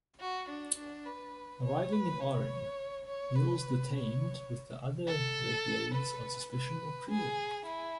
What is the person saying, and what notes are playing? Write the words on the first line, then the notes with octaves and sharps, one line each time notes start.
Arriving in Aren, Yil's detained with the other Red Blades on suspicion of treason.
F#4
D4
D4
B4
C#5
B4
C#5
C#5
B4
C#5
A4
B4
B4
G#4
E4